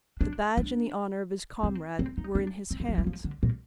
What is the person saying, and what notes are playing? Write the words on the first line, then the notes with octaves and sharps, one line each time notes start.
The badge and the honor of his comrade were in his hands.
D4
D4
C4
C4
D#4
D4
C4
D#3
F3
G3
F3
D3
A#2